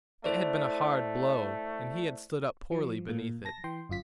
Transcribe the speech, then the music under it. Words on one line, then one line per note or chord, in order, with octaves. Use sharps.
It had been a hard blow, and he had stood up poorly beneath it.
A3 E4 C5 D5
F3
A#2 A#3
A5 A#6
E3 G5 C6
G1 F#2 F4 B6